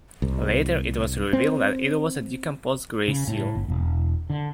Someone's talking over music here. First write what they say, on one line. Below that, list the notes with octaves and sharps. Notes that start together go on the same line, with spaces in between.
Later it was revealed that it was a decomposed grey seal.
C2
C4
C#3
A2
G1
E1
D3